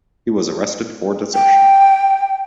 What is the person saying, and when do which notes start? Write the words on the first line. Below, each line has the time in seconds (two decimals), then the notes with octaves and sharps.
He was arrested for desertion.
1.34 G5